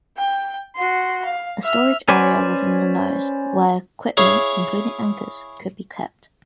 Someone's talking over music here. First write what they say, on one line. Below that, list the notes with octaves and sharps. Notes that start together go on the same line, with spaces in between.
A storage area was in the nose, where equipment, including anchors, could be kept.
G5
F#4 C6
F5
E5 F6
C#4 B4 C5 D5 G#5
E4 G#4 C#5 F5 G#5